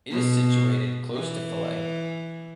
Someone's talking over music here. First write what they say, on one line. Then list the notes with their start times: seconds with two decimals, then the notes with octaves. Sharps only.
It is situated close to Falaise.
0.11 B2
1.16 E3